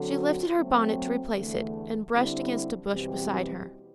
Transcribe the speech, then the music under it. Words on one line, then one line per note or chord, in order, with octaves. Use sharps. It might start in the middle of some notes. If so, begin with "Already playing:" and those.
She lifted her bonnet to replace it and brushed against a bush beside her.
Already playing: D3 F#3 C4 F#4 A4
F#3 A3 C4
E2 D3 A3
D3 G3 C4 E4
E2 B2 G3 C4 G4